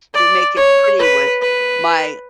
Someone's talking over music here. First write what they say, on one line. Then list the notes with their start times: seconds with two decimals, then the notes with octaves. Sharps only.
then make it pretty with my
0.14 D5
0.57 C#5
0.99 B4
1.42 B4